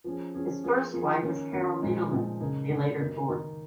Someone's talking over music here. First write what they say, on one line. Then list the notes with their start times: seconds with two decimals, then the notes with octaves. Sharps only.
His first wife was Carol Needelman; they later divorced.
0.04 F3 C#4 G#4
0.35 F3 C#4 G#4
0.64 F3 A#3 F4 G#4
0.93 F3 A#3 F4 G#4
1.23 D#3 A#3 C#4
1.52 D#3 A#3 C#4
1.82 A#2 F3 G#3 D#4
2.11 A#2 F3 G#3 D#4
2.40 C#3 A#3 D#4 G#4
2.70 C#3 A#3 D#4 G#4
2.99 D#3 A#3 D#4
3.29 D#3 A#3 D#4